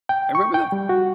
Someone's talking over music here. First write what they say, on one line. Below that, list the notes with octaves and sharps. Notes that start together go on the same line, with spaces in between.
I remember the
G5
C#6
G5
G3
F#4